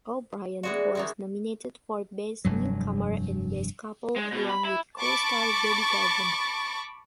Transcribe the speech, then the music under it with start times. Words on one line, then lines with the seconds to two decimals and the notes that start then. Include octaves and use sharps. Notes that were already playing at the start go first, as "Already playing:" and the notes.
O'Brien was nominated for "Best Newcomer" and "Best Couple" along with co-star Jodi Gordon.
0.63 E3 G#3 F#4 D5
0.95 D#3 E3 G#3
2.45 F1 G2 F#3
4.16 G#3
4.32 B2
4.49 B5
4.65 E4
4.99 A5 B5 C#6 D6 A6